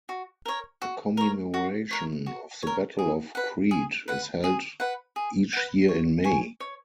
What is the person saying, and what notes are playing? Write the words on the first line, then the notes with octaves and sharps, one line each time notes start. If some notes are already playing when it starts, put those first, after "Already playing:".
A commemoration of the Battle of Crete is held each year in May.
F#4
A#4 C#5
F#4
A#4 C#5
F#4
A#4 C#5
F#4
A#4 C#5
G#4
B4 F#5
G#4
B4 F#5
G#4
B4 F#5
G#4
B4 F#5
C#5
G#5 C#6
C#5